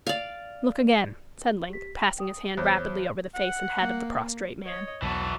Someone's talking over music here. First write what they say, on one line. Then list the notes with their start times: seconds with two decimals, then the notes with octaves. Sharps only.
"Look again," said Link, passing his hand rapidly over the face and head of the prostrate man.
0.07 D5 F5
1.70 G4 B6
1.98 G5
2.19 G5 D#6
2.57 E2 C5 C#5
3.35 F#5
3.79 A#3
4.65 C#5 D#5
5.02 B1 E2 E3 F#4 A5